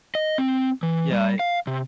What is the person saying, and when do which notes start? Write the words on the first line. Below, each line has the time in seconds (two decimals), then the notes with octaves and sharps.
Yeah, I
0.15 D#5
0.38 C4
0.83 E3
1.12 G3
1.39 F5
1.67 C3